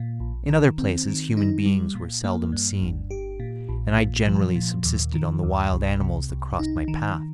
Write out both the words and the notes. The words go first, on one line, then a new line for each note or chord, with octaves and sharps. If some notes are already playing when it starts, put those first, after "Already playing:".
In other places human beings were seldom seen, and I generally subsisted on the wild animals that crossed my path.
Already playing: A#2
A#1
D#3
C4
D#3
D#4
G3
A#2
A#3
G2
G1
G4
A#2
A#1
A#2
F3
A#2
D#2
D#3
D#2
C2
C3
C2
D#4
D#3